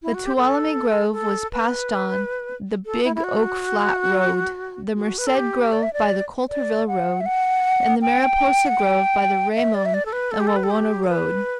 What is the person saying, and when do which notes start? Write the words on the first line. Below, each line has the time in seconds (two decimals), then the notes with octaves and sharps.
The Tuolumne grove was passed on the Big Oak Flat road, the Merced grove by the Coulterville road and the Mariposa grove by the Raymond and Wawona road.
0.03 E4
0.14 F#4
0.26 G4
0.36 A4
1.13 A4
1.52 B4
2.86 A4
3.04 E4
3.15 E4
3.24 F#4
4.96 F#4
5.18 B4
5.27 A4
5.35 G4
5.72 D5
5.83 E5
5.93 D5
6.49 D5
6.88 F#5
7.20 E5
7.26 F#5
8.02 G5
8.66 F#5
8.79 G5
9.55 E5
9.74 D5
9.86 E5
9.94 D5
10.05 A4
10.13 B4
10.31 A4
10.40 G4
10.47 A4
10.56 B4
10.63 A4
10.70 G4
11.04 A4
11.09 B4